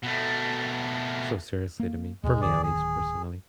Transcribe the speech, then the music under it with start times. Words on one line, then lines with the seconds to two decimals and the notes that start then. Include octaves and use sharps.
so seriously to me for me, at least, personally.
0.04 B2 A3
1.80 A#3
2.24 D#2 B2 G#3
2.42 D1 D#3 G#4 D5
2.63 G#4